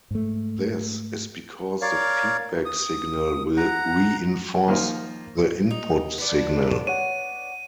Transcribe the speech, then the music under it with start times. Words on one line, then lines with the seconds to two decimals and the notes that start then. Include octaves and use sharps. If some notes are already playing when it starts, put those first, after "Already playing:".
This is because the feedback signal will reinforce the input signal.
0.11 G#2 A3
1.82 A#4 C#5 D5 F5
2.66 D#6
3.57 F#5 A#5
4.68 D#3 F3 A#3 F4
5.70 D#4
6.18 B3 D4
6.87 C#5 F#5 D#7